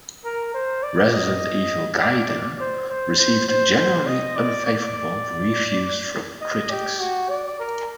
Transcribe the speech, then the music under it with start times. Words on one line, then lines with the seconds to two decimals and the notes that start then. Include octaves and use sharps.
"Resident Evil Gaiden" received generally unfavorable reviews from critics.
0.24 A#4
0.54 C5
0.83 D5
1.13 D#5
2.02 D5
2.30 D5
2.60 C5
2.90 C5
3.18 C5
3.48 C5
3.78 C5
4.07 D#5
4.36 D5
4.66 D5
6.41 D#5
6.71 G4
7.00 F#4
7.29 D5
7.59 A#4